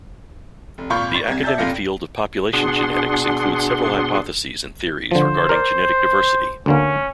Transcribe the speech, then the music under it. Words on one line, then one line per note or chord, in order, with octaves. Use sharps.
The academic field of population genetics includes several hypotheses and theories regarding genetic diversity.
F1
G#1 A#2 F4 B5 C#6 G6
C#6 A6
C2 G#6
D5 E5 A5 G6 A6
F1 A#2 F5 A#6 C#7
B2 D4 G#4 F#5 C6
D3 F3 C5
A#4 D5
D2 D3 A#3 C#4